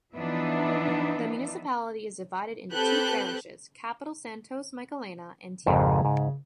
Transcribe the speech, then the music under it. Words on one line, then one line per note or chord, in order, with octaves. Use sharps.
The municipality is divided into two parishes: Capital Santos Michelena and Tiara.
E3 F3 B3 D4 D#4 E5
C4 G4 A4 B4 F#6 G6
G#1 F2 G#2 C#3
G#2